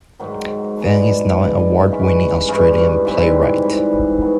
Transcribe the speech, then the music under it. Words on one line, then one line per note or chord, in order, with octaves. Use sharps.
Van is now an award-winning Australian playwright.
G#2 D#3 F#3
G#3 B3 D4
G#3 B3 D4
G2 E3 G#3 C#4
G2 E3 G#3 C#4
G#2 E3 G3 C4
G#2 E3 G3 C4
D#3 F#3 B3